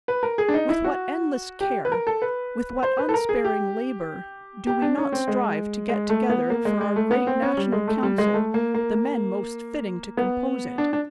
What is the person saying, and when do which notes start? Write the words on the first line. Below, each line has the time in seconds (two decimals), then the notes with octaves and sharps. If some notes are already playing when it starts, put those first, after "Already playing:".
With what endless care, with what unsparing labour, do we not strive to get together for our great national council the men most fitting to compose it.
0.08 B4
0.23 A#4
0.38 G#4
0.48 D4
0.54 D#4
0.69 E4
0.84 F#4
1.61 G4
1.85 B4
1.92 A#4
2.07 A4
2.22 B4
2.83 C5
2.98 B4
3.09 A4
3.14 A#4
3.29 G#4
3.44 G4
4.67 G4
4.82 D4
4.97 C#4
5.12 C4
5.28 G#3
5.89 G#3
6.09 A3
6.30 B3
6.50 A#3
6.65 G#3
6.81 G#3
6.96 A3
7.11 B3
7.27 C4
7.42 C#4
7.57 G3
7.72 G#3
7.88 A3
8.03 G3
8.18 G#3
8.34 A3
8.54 A#3
8.74 A#3
10.17 B3
10.78 D4
10.93 D4